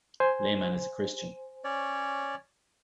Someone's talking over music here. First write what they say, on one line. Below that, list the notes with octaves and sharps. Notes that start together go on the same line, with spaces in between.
Lehman is a Christian.
C5 G#5
C#4 C#5 D5